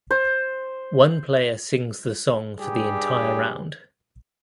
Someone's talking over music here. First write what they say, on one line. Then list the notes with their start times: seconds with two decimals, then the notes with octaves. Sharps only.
One player sings the song for the entire round.
0.11 C5
2.59 G2 G3 G4 G#4